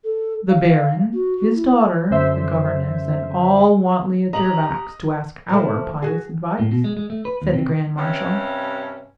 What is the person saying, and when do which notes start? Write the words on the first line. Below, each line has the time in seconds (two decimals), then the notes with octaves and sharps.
"The Baron, his daughter, the Governess, and all Wantley at their backs, to ask our pious advice," said the Grand Marshal.
0.04 A4
0.49 F5
1.13 F#4
1.37 F#4
1.54 E4
2.11 F#2 D3 C5 E5
4.33 G4 D#5 A#5 F#7
5.49 F3 A3
6.02 F#4 G#4
6.59 A2
6.72 B2
6.84 G#3
6.97 G#3
7.10 A3
7.25 B4
7.42 D#2
7.53 C3
7.97 G2 C3 C#4